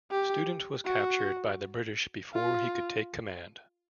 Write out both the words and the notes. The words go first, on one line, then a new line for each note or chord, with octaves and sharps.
Student was captured by the British before he could take command.
G4
F#4
F4